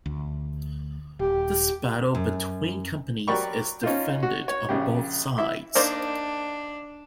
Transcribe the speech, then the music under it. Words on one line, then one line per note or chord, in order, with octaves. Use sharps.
This battle between companies is defended on both sides.
D2
D#1 G4
F#2
F#3 G4 A#4 D5 B5 C#6
C#4 D#4 F4
F#4
C#5
A#1 C#3 G4
E4 E5
A#3 D4 D#4 A#4 C5 D5